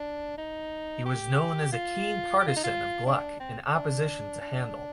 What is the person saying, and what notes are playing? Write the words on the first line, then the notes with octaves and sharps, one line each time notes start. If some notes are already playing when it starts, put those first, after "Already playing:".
He was known as a keen partisan of Gluck in opposition to Handel.
Already playing: D4
D#4
G4
F4
G4
F4
D#4
F4
D4
C4
D4
D4